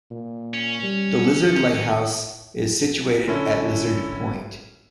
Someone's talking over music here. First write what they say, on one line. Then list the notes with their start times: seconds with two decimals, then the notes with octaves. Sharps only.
The Lizard Lighthouse is situated at Lizard Point.
0.11 A#2
0.54 C#4
0.83 G3
1.31 D#3
3.28 D3 C#4 E4